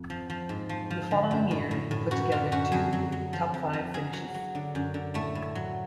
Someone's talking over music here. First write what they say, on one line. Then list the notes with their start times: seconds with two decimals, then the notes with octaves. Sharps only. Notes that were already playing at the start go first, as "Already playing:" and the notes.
The following year, he put together two top-five finishes.
Already playing: F2
0.10 F3
0.30 F3
0.49 G#2
0.69 F3
0.90 F3
1.11 D3
1.31 F#2
1.51 A2
1.71 A2
1.91 A2
2.11 F#2 F#4
2.32 D3 F4
2.52 F#2 F#4
2.72 F2 G#4
2.93 F#3
3.12 F#3
3.33 F3
3.54 F2
3.73 F3
3.94 F#3 G#4
4.13 F#3
4.34 F#3
4.55 D3
4.75 F#2
4.94 D3
5.14 A2 A3
5.35 A2
5.55 F#3